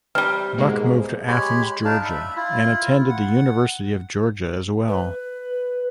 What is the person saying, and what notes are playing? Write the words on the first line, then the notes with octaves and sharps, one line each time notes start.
Buck moved to Athens, Georgia, and attended the University of Georgia as well.
C3 G3 F6
G#2 B2 G#3 A#3
G#3 G4 C#5 B5
D4 D#4 F5 A5
E5 B5
E4 F4
F#5
B4